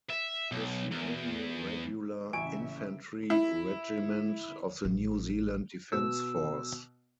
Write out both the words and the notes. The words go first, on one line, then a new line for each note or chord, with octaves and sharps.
It is the only regular infantry regiment of the New Zealand Defence Force.
E5
B1
E2
A1 C#3 E5 G#5 C#6 D7
E4
A1
B2 E6